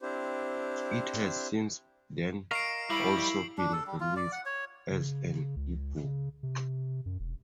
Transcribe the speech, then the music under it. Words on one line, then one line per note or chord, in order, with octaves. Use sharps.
It has since then also been released as an ebook.
C4 D4 E4 G4 C5
A#4 D#5 F5 C#6 C7 D7
G3 E4 F#7
D4
A4
G3
F4
D5
F#5
C#5
C#3
C#2
C#3
C3
F#2
E1